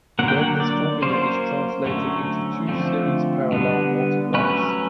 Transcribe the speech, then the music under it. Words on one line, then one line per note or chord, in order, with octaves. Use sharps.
Then this formula is translated into two series-parallel multigraphs.
D3 F#3 A#3 F#5
G5
F#5
D5
F#3 A#3 C#4 C5
D3 F#3 A3 C#4
D3 F3 A3 C4
D3 G3 B3
F#3 A3 C#4 B4